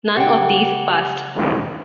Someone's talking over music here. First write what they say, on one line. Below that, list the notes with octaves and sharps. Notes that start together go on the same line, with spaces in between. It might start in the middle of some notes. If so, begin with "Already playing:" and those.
None of these passed.
C#3 G4 F#5 G5